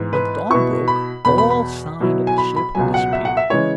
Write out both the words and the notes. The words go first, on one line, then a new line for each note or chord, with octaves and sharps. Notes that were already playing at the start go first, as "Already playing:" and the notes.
When the dawn broke, all sign of the ship had disappeared.
Already playing: G#2 E3 B3
B4
B2 B3 E4 C#6
B5
E2 B2 B3 B5
B5
B5
B2 F#3 E4
G#5
B5
B5
C#2 B2 F#3 G#5
F#5
E5
F#5
E5
C#3 E3 G#3 E4 C#5